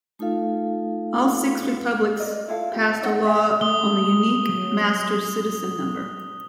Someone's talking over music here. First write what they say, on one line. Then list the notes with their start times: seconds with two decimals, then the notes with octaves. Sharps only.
All six republics passed a law on the Unique Master Citizen Number.
0.19 A3 D#4 F4 A4 F5
2.20 D5 D#5
2.48 E4 F4 A4 F5
2.73 F4 G4
2.88 C5
3.01 D#4 D5 D#5 F#5
3.25 G#4 E5 G#5
3.61 A3 D#6 G7
4.49 F#3